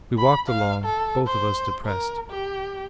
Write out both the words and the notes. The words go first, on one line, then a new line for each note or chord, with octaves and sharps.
We walked along, both of us depressed.
B5
F5
A4
C5
A#4
G4